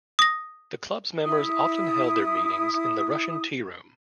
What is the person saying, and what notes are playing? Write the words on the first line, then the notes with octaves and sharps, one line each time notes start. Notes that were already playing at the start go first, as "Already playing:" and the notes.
The club's members often held their meetings in the Russian Tea Room.
D#6 A#6
E4 D#6